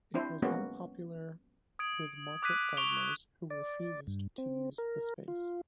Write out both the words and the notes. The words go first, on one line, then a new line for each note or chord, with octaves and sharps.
It was unpopular with market gardeners who refused to use the space.
C4 D4 E4 C5
F#3 G#3 A#3 B3 C#4 F#4
D#6 G#6 D7
D6 D#6 F#6 G#6 B6 D#7
C#6 D7 F7 G7
D5
G2
C4
A#4
F4